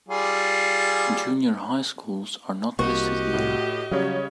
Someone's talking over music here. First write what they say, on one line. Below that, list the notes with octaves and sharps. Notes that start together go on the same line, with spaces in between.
Junior High schools are not listed here.
G3 F4 G#4
C2 A#3 F#4 G4 D#5
A2
C#3 F#3 G3 C#5